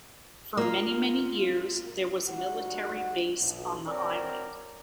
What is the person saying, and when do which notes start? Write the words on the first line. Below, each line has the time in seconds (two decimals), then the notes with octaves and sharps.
For many, many years there was a military base on the island.
0.57 A#3 F4
2.28 D2 G3 D#4 F#4 F#5
3.38 B1
3.87 C4 F#4 A#4 C#5 D5